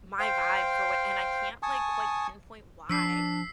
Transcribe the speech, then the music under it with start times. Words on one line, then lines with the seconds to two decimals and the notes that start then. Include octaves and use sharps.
my vibe for what and I can't, like, quite pinpoint why.
0.19 C5 F5 G5
1.63 G#5 A5 C#6 D#6
2.89 F3 D4 E6 B6 C7